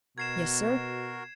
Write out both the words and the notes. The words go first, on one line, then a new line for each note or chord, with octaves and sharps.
"Yes, sir."
B2 F#4 A#4 G#6 C7 E7